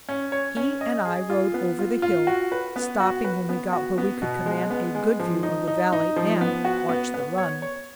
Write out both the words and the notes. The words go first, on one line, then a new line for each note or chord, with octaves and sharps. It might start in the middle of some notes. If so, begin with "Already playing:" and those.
He and I rode over the hill, stopping when we got where we could command a good view of the valley and watch the run.
C#4
C#5
C#4
D#5
G#4
F4
B3
F4
F4
F#4
B4
B3
F#4
B4
B3
F#4
B3
B2
G#3
B3
G#3
F3
D#4
D#4
D#4
F3
B3
F#4
B3
B3
C#5
C#5